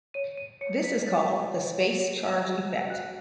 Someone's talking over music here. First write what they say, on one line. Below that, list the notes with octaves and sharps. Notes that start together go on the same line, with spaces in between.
This is called the "space charge effect".
C#5 D#7
D#7
C#5 C#7
B6
C#5 A6
C#5
C#5
F#4
F#4 F#6